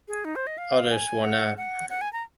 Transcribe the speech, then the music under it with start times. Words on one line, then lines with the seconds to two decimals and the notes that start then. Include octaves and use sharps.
Others were not.
0.08 G#4
0.25 D#4
0.36 C5
0.47 D#5
0.58 F5
0.91 G#5
1.24 F#5
1.57 F#5
1.90 F#5
2.01 G#5
2.13 A#5